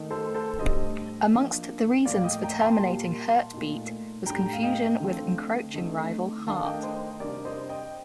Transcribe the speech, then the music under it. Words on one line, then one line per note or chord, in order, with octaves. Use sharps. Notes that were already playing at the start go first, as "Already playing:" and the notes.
Amongst the reasons for terminating HertBeat was confusion with encroaching rival Heart.
Already playing: D#3 A3 D#4
A4 C5
A4 C5
A2 G3 D4 C5 D#5
F3 A#3 D4
A2 F3 A#3 D5 F5
D#5 G5
G5 A#5
A5 C6
A#2 G3 A#3
A#2 A3 D#4
A2 G3 D4 G5 A#5
F5
D#5 G5
D3 F3 A3 C4
D3 A3 C4 D#4
D#3 A3 D4 F5 A5
D#5 G5
C5 D#5
D#5
C3 G3 D4 A#4 D5
C5 D#5
D#5 G5